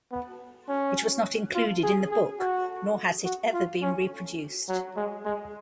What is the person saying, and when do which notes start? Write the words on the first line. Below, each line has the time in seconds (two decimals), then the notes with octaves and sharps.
It was not included in the book, nor has it ever been reproduced.
0.11 B3
0.68 C#4
1.55 F4
1.83 G#4
2.11 G#4
2.40 F#4
3.25 F#4
3.54 F4
3.82 C#4
4.69 F#3
4.97 G#3
5.25 G#3